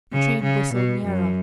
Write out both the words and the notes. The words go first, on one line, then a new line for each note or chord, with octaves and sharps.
The train whistled nearer.
C#3
C#3
B2
F#2